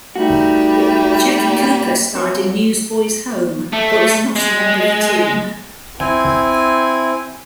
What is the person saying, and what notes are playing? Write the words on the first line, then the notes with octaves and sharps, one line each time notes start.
Jackie Cooper starred in "Newsboys' Home", but was not a member of the team.
G3 A3 D#4 F#4
A#2
C4 F#4 C#5
A3
G#3
C4 E4 G#5